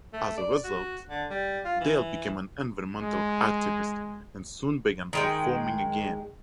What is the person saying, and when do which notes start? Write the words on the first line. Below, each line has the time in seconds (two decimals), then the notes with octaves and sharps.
As a result, Dale became an environmental activist and soon began performing again.
0.13 A3
0.38 D5
0.64 F#4
1.09 D3
1.30 G3
1.65 F4
1.81 E3
3.02 G#3
5.13 D#3 G#3 G5